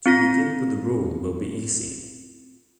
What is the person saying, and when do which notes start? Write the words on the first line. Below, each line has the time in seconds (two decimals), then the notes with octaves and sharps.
To begin with the rule will be easy.
0.06 C4 F4 A#6